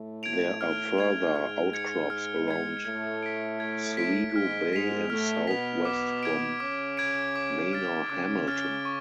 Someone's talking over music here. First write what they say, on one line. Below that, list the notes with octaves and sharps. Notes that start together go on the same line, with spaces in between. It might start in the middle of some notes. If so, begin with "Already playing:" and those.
There are further outcrops around Sligo Bay and southwest from Manorhamilton.
Already playing: A2 A3
G#6 D7 F7
F6
G#6 D7 F7
G#2 G#3 F6
G#6 C#7
F6
G#6 C#7
A2 A3 G#6
B6 D7
G#6
B6 D7
G#2 G#3 F6
G#2 G#3 B6 F7
A2 A3 F6
B2 B3 B6 F7
D6
G#6 D7
C#3 C#4 D6
G#6 D7
D6
F6 A6
C#3 C#4 D6
F6 A6
C#6